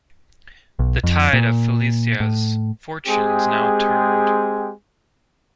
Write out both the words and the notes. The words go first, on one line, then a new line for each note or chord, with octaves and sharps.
The tide of Filicaja's fortunes now turned.
B1
F2
A#2
A2
G#3 C4 G4 G#4